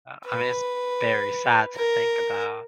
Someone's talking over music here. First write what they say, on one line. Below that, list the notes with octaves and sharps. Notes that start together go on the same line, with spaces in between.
Yeah. I mean, it's very sad to think about.
B4
A#4